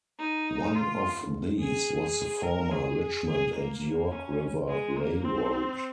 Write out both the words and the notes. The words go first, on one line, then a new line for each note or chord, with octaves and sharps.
One of these was the former Richmond and York River Railroad.
D#4
F4
G#4
A#4
G#4
G#4
A#3
A#3
C#4
G#3
A#3
C4